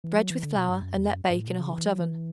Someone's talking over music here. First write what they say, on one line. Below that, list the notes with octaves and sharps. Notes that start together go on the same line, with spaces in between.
Dredge with flour and let bake in a hot oven.
E3
F#3
E3
D3
B2
G2
F#2
E2
F#2
G2
A2
B2
C#3
E3
F#3
E3